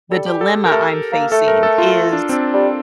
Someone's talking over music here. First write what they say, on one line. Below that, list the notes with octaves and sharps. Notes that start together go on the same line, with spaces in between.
the dilemma I'm facing is
G3 A4
G4
A4
A#4
A3 A4
A#3
A3 A4
A#4
A4
F4
D4
C4
D4
G3